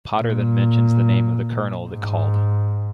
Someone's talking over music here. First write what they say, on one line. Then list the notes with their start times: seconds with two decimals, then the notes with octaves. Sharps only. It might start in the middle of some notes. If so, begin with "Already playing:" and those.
Potter then mentions the name of the colonel that called.
0.17 A#2
1.89 G#2